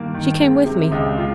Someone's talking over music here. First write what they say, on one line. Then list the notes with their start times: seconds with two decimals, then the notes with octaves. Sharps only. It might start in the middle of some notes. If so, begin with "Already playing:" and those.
She came with me.'
Already playing: G2 D#3 A#3
0.14 D#3
0.39 G#3
0.66 C3
0.92 C#2
1.18 F4